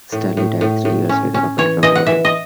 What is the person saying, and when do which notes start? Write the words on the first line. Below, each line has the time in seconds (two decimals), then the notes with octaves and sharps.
Staley died three years later of a drug overdose.
0.12 A2
0.37 A2
0.61 A2
0.85 A2
1.09 C#4
1.34 C#4
1.58 E3 C#5
1.83 E3 D#5
1.95 F#5
2.06 E3 E5
2.25 D#5